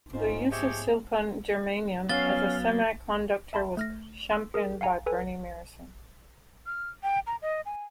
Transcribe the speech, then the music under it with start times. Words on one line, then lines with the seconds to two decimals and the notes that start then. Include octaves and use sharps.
The use of silicon-germanium as a semiconductor was championed by Bernie Meyerson.
0.13 G#2 C#4 D#4 F4 C5
0.51 F3 G4 G#4 C#5 D#5 E5 G6
2.09 F#3 B3 C#4 F5 A6 G7
3.53 E5 A5 B5 C6
3.77 A3 F6 A#6
4.31 C6 E6
4.54 G#4 A#4
4.81 F5 F#5 G#5 A#5
5.06 A4 B4 G#5
6.66 F6
7.03 G5
7.27 A#5
7.42 D#5
7.66 G#5